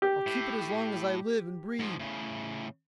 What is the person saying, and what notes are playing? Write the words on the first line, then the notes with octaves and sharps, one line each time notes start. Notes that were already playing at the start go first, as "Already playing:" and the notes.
"I'll keep it as long as I live and breathe."
G4
A2
G#2 F3
A2 C#3